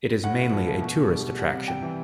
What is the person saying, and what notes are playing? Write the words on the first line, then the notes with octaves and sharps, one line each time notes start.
It is mainly a tourist attraction.
A2 F#5
A2
F3
F3
B2
B2
G3
G3
G3 F#5
C3
C3 G5
E3